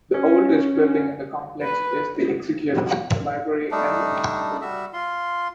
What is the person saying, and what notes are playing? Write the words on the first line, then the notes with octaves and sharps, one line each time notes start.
The oldest building in the complex is the Executive, Library and Museum Building.
C#4
B4
G3 A3 D4 D#4
G3 F#4 E5
F4 C6